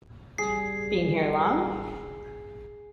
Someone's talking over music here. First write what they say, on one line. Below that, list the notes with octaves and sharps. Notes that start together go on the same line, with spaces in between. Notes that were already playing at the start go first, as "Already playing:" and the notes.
Been here long?
G3 G#4 C7